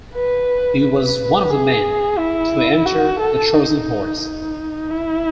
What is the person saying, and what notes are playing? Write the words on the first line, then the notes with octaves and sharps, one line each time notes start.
He was one of the men to enter the Trojan Horse.
B4
B4
G#4
E4
F#4
A4
D#4
D#4
E4